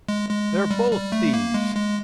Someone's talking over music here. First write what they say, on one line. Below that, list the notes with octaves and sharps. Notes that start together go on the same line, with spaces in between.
"They're both thieves!"
G#3
G#3
G3
G3
A3
A#3
G#3
G#3